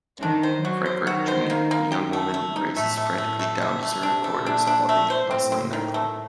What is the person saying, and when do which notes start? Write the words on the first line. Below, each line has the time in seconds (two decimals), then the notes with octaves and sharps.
Frankfurt, Germany: A young woman races frantically down deserted corridors above a bustling nightclub.
0.22 D#3 D4
0.43 C5
0.65 F#3 F#4
0.86 C5
1.07 D#3 F#4
1.28 C5
1.50 A#3
1.71 A#3
1.92 G4
2.13 A3
2.34 A3
2.56 D#4
2.76 A2 A3
2.98 A3
3.18 A2 A3
3.39 A3
3.61 A#2 A3
3.83 A3
4.03 C3 D4
4.24 A3
4.46 A#2 D4
4.67 D4
4.89 A3
5.10 C5
5.31 A2 C4
5.52 C4
5.73 D#3
5.94 A3